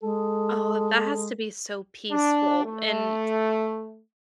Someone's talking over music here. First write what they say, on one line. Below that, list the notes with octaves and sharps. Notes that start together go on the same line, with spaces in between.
Oh, that has to be so peaceful and
G#3 A4
D4
A3